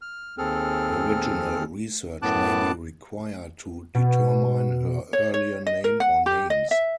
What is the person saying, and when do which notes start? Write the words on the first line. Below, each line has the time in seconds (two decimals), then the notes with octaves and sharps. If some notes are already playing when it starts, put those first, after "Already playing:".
Original research may be required to determine her earlier name or names.
0.01 F6
0.38 D#2 C4 G#4 A4 F6
2.22 F#2 A2 B3 A5 D6 F#6
3.95 B2
5.13 C#5
5.34 C#5
5.67 D#5
5.84 A#4
6.00 F#5
6.26 G4
6.50 D#5
6.71 E5